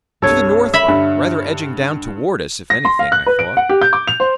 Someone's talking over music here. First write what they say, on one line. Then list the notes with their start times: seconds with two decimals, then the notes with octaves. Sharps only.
"To the northward, rather edging down towards us, if anything, I thought."
0.22 C2 G2 A4 C#5
0.74 E5 B5
0.88 G2 D3
2.70 A#6
2.85 C6
2.99 F5
3.12 F#6
3.26 B4
3.39 D7
3.57 F#5
3.69 G4
3.82 G6
3.93 D6
4.08 F7
4.20 C5